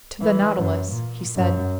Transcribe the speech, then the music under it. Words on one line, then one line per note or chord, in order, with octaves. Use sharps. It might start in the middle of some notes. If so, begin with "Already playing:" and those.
"To the Nautilus," he said.
E3
F#2
A#2
F#2